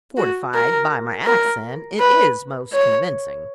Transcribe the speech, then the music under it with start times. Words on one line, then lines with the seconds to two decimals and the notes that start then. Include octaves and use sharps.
Fortified by my accent, it is most convincing.
0.17 F#4
0.54 A#4
1.26 A#4
1.99 B4
2.73 C#5